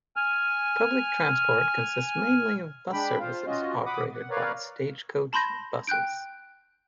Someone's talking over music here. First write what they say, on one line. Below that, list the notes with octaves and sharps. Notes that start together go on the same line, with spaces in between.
Public transport consists mainly of bus services operated by Stagecoach Buses.
G#5 F6
G#3 D4 G5 B5
F4 C5 F5
C#4 F4 F#4 D#5
F#5 B5 D6 D#6
F#5
A#4 B4 C#5 D5 F5
A5 B5 C6 G6 A#6
G5 F#6 G6 D7